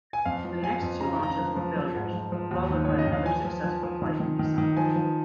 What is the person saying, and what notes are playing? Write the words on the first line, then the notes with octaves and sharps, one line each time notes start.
The next two launches were failures, followed by another successful flight in December.
G#5
F2 F5
F3
F3 G#5
F2
C#3 A#5
C#3 A#5
F3
F3
F3
G#2
F3
F3
D#2
D#3
D#3 C#5
D#5
D#3
F5
F3 G#5
F3
F3
F3
D#3
D#3
D#3
D#3
F3 G#5
F3